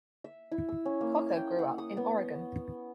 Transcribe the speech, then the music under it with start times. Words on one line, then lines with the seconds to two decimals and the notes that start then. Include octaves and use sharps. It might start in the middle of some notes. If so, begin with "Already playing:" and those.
Kocher grew up in Oregon.
0.24 E5
0.52 E4
0.69 E6
0.85 C#4
1.01 A#3
1.36 G5
1.58 F#5
1.78 D#6
1.97 B3